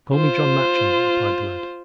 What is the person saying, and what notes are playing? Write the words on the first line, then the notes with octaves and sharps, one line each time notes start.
"Call me John Matcham," replied the lad.
F4 C5